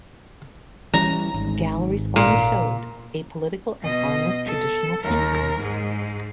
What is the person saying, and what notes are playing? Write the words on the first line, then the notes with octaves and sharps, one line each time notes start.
Galleries only showed apolitical and harmless traditional paintings.
E3 G3 C#4 A#5
G#1 G#2
A#2
B2 D#5
A4
D#2 A#4
G#2 G#3